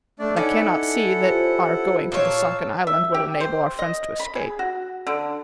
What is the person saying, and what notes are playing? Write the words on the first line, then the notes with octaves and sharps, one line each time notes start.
But I cannot see that our going to the sunken island would enable our friends to escape.
A3 D4 D5
C#4 D#4 E4 A4 D5 D#5 F#5
F4 G4 C5
A#2 C#5 F5 A5 E6
E5
G4
C5
D#5
B5
G#4
F#4
D3